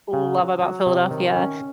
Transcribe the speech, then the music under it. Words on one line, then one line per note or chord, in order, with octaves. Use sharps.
love about Philadelphia
C#3
F#3
F#3
C3
D#3
C#4